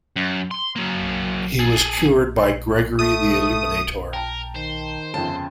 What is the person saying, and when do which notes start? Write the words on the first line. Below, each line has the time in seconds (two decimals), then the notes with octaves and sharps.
He was cured by Gregory the Illuminator.
0.16 F#2
0.51 C6
0.76 F#3 A#3
1.59 G#4 A4
2.99 A3 D#6
4.13 A#4 G5 A5 A#5
4.56 D#3 C5
5.14 G1 F2 C#3 A5